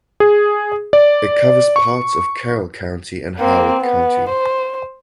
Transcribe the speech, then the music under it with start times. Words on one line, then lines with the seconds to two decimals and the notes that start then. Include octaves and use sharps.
It covers parts of Carroll County and Howard County.
0.20 G#4
0.93 D5
1.76 C#6
3.39 A#3 C4
3.81 B3
4.29 C5